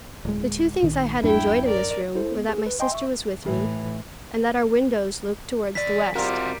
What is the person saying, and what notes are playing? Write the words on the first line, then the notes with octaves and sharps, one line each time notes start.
The two things I had enjoyed in this room were that my sister was with me, and that our windows looked toward the west.
D1 G#3
A#1 D#3
D1 F#2 D4 E4 G5
A#4 D5
E4 A4 C5
B3
G#4
B4
D#5 G5 G#5 C6
E5 C#6
A2 E3
E2 D5 B6
G3 C4 F4 F#4 A#4